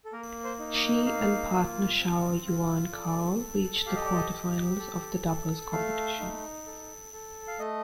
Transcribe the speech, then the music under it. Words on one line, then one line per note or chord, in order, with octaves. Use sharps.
She and partner Shao-Yuan Kao reached the quarterfinals of the doubles competition.
A4
A#3 A#4
C5
D#4
D#5
A#3 F5
F4
C4
F4
A4 D5
A4
G4 F5
D#5
D5
D#5
G4
A4
A4
A3 F5
D#4
A4
A4
F5
A3 D#5